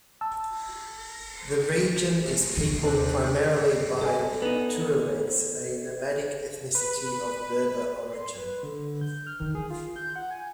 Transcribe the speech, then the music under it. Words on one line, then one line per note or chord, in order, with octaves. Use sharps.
The region is peopled primarily by Tuaregs, a nomadic ethnicity of Berber origin.
A5 E6
D#2 C3 C4 D4 F#6
A4 D5 G#5
B3 D#4
B4
C6
B4
D3
G6
F6
D#3
G#4
F4
G6
F#5
G#5